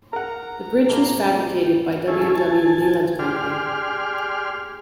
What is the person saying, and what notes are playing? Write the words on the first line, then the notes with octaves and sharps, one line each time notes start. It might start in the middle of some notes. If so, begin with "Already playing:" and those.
The bridge was fabricated by W. W. Leland Company.
A#4 F#5 A#5
A#1 A#3
C#4 E4 G#4 A4
G#5 A5
G4 G#4 D5 C6 F6